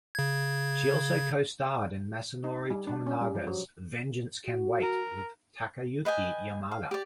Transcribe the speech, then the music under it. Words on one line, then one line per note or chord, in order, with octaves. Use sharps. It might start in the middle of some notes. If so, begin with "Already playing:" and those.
She also co-starred in Masanori Tominaga's "Vengeance Can Wait" with Takayuki Yamada.
C#3 G#6
D#4
G3
D4
C#4
G3
F3
F#3
F#4
A#4
B4 D#5 G5 G#5
F5
G4 D5